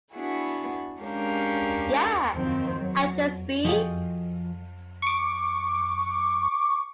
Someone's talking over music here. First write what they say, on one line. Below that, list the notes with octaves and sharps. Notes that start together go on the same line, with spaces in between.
Yeah!," and "Just B.
B3 D4 E4 F#4 G#4
G#3 C#4 D4 G4 A#4 F5
F#2 D#3 F3 C4
F#3
F3 F#4 G#4 A4 D#5 G5
C#6 D6